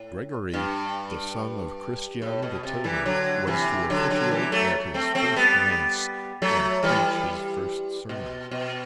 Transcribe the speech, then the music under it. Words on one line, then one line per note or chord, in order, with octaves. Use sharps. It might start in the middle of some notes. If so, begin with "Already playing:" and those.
Gregory, the son of Christian the tailor, was to officiate at his first mass and preach his first sermon.
Already playing: A2
G2
A2
B2
C3
E3 G3
D3 F#3
C3 E3
D3 F#3
D3 F#3
E3 G3
F#3 A3
A3 C4
A3 C4
G3 B3
F#3 A3
E3 G3
B2
B2